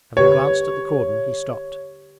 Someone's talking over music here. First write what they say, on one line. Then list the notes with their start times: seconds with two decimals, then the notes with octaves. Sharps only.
Having glanced at the cordon he stopped.
0.17 D3 G4 B4 C#5